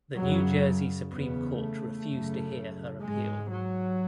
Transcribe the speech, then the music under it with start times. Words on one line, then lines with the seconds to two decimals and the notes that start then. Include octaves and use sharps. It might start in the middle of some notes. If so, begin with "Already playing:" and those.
The New Jersey Supreme Court refused to hear her appeal.
0.16 F#2 C#3 F#3
1.11 E2 C#3 B3
1.59 A3
2.06 F#2 C#3
3.01 G#2 G#3
3.49 F#3